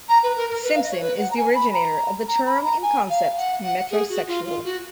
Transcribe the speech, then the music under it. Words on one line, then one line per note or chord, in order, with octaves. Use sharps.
Simpson is the originator of the term and concept metrosexual.
A#5
B4
A#4
A#4
B4
F5
D#5
C#5
B4
F#5
A#5
G#5
B5
A#5
A#5
B5
A#5
G#5
F5
F#5
F#5
G#4
F#4
F4
F4
F#4